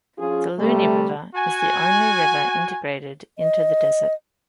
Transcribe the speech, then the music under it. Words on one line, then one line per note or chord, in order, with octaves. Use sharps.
The Luni River is the only river integrated into the desert.
F3 C#4 F4 G#4
C3 G3 A3
F#4 G#5
D#5